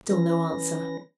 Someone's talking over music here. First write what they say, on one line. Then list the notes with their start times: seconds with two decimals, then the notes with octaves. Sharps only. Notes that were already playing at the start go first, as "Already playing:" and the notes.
Still no answer.
0.10 E3 C#4 B4 A#6